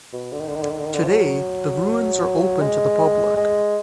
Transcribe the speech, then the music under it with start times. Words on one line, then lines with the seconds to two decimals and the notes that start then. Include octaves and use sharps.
Today, the ruins are open to the public.
0.13 B2
0.32 D3
0.40 D#3
0.48 D3
0.56 D#3
0.62 D3
0.71 D#3
0.79 D3
0.86 D#3
0.94 D3
1.03 F3
1.09 F#3
2.61 G#3
3.37 G#3